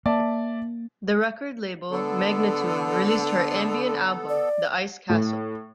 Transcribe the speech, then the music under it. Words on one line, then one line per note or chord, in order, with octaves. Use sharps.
The record label, Magnatune, released her ambient album, "The Ice Castle".
A#3 D5 E5 A5
D3 B3 A4
D5
A2